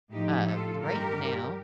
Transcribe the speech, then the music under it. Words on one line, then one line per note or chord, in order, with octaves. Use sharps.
Uh, right now
A2 F3 D#4 G4
F4 A4
G2 D#3 G3 G4 A#4